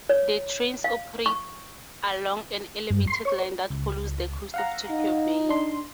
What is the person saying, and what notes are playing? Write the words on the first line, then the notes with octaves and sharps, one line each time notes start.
The trains operate along an elevated line that follows the coast of Tokyo Bay.
C#5
F5
C#6
G2
C6
C#5
C#2
F5 F#5 A#5
D#4
D4 C6